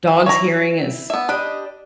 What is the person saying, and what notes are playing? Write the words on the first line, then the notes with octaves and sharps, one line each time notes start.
dog's hearing is
E4
C#5 A#5
B3 E5
D4 G4 D#5 B5